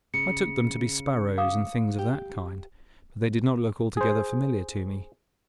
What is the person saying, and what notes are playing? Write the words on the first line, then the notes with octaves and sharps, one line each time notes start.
I took them to be sparrows and things of that kind, but they did not look altogether familiar to me.
C#3 C#7
F5 D6 D#6
G4
G#4 C5